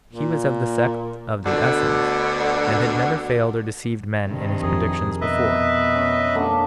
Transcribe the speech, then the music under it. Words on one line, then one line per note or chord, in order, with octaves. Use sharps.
He was of the sect of the Essens, and had never failed or deceived men in his predictions before.
A#2
D2 B2 D3
G2 C3 D#3
F2 G#4 A#4
B2 B4 D#5 E5
C#4
D3 A#3 C#4